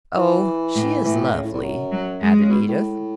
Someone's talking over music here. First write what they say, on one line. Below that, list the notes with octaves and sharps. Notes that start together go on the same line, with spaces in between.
"Oh, she is lovely," added Edith.
E3
A2
A2 E3
E3
C#3
A2
E2
F#2
F#3
G#3
C#3
B2
A2